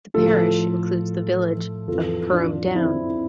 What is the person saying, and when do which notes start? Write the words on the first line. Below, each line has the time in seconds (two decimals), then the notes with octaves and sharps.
The parish includes the village of Perham Down.
0.14 A2 F3 F4 A4
1.88 F2 E3 F4 A4
2.32 D4 F4
2.75 C4 E4